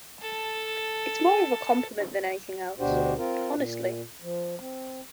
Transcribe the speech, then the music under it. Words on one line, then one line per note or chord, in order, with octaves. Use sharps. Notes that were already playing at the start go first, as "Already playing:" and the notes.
It's more of a compliment than anything else, honestly.
A4 A5
D2 B2 D4 F#4 G4 C5
C4 F4 A#4
A#2
F3
C4